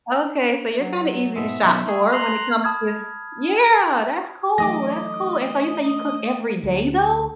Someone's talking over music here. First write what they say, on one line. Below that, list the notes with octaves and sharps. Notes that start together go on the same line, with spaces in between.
Okay, so you're kinda easy to shop for when it comes to yeah, that's cool, that's cool, and so you say you cook every day though?
F#3
G#2 B2 G#3 E5
B1 D#3 C#4
A3 G#4
A#5 C6 F#6
A5 B5 D#6 F6 G#6
E3 F#3 A3 D#4 D#5 D6 D#6 A#6
D2